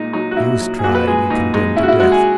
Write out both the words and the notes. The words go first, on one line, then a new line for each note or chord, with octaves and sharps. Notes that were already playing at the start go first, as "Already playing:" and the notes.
He was tried and condemned to death.
Already playing: A#2 G#3 D#4
F#3 D#4
F#4
A#2 E4
F#3
G#4
A#2 F#4
B4
G#3 G#4
A#2 D#4
G#3 D#4
C#3 E4
F#4
E4
G#3 F#4
G#4